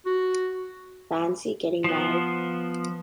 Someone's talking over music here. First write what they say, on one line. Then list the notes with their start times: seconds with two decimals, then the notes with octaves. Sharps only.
Fancy getting married?
0.06 F#4
1.84 F3 B3